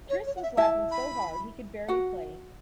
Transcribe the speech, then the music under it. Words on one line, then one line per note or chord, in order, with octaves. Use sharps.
Chris was laughing so hard he could barely play.
C#5
C#5
F#5
E5
E4 E5 A5
B5
F#4 F#5